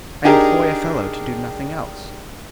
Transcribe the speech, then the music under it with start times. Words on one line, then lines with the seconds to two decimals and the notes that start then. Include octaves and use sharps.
I employ a fellow to do nothing else.
0.24 D4 D#4 G4 G#4 A#4